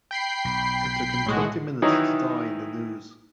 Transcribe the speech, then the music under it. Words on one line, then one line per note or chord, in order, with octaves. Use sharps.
It took him twenty minutes to die in the noose.
G5 B5 C7
B1
A2 G#3 F#4
D#3 E3 F#3 D#4 E4 C#5